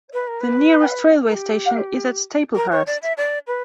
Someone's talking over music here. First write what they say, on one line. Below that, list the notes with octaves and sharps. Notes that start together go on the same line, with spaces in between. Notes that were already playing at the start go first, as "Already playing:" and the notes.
The nearest railway station is at Staplehurst.
B4
A#4
B4
A#4
G4
A#4
C#5
D5
E5
D5
B4